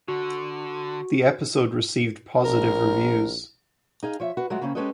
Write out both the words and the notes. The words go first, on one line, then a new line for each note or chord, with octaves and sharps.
The episode received positive reviews.
D3 F#4
A#1 A#4
D#4 G#4 F5
F3 C#5 E5
F#4 B4
F#3 G#3 A3 F4 F#4
C#3 A#3 C4 C#4
G#3 C#4 G4 A4 B4 D#5